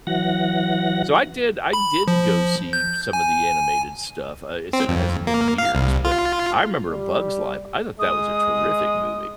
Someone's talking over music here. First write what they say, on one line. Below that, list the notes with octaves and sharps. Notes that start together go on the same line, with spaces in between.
so, I did I did go see some of the animated stuff, uh, I said it hasn't been years, but I remember A Bug's Life, I thought that was a terrific movie,
E3 F#3 F#5 A#6
B5
F3
G6
G#5
C4
F2
A#3
F5
C2
F4
G3
G#3 D#6